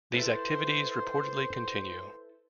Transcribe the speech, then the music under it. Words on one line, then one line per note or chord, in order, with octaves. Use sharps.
These activities reportedly continue.
E4 A4 B4 C5